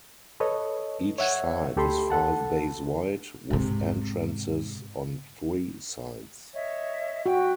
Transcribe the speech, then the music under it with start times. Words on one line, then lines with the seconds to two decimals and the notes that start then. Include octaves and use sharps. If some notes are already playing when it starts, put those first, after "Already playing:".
Each side is five bays wide, with entrances on three sides.
0.40 A4 B4 C#5 D#5
1.18 C#5 E5 F#5 G#6
1.76 D2 G4 A4 B5 C6
2.10 A4 F#5 A5
3.51 G#2 C3
6.54 C#5 D#5 E5
7.26 F#4 G5